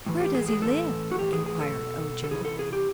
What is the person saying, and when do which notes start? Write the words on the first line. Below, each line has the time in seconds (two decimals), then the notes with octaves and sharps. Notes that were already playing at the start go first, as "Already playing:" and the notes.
"Where does he live?" inquired Ojo.
0.06 A2 E3
0.20 G4
0.35 G#4
0.48 G#4
0.62 A2 E3 A4
1.11 F#4
1.19 A2 E3 G4
1.33 G#4
1.46 G#4
1.61 A4
1.74 B2
2.24 A4
2.31 C3 E3 G#4
2.45 A4
2.59 G#4
2.73 G4